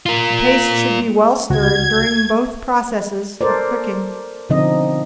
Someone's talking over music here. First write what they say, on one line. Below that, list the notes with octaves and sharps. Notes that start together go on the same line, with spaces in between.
The paste should be well stirred during both processes of cooking.
F4 A#4
C#2 F#4 G#6
A4 A#4 C5 D5
B2 D3 F3 C4 D#4 D#5